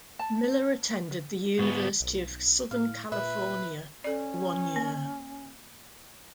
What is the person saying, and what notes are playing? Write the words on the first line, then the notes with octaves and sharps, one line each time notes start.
Miller attended the University of Southern California for one year.
A5
G#2 B3 F#4
B1
A2 F5
A#2 B4 E5
C#4 A4 D5
A#3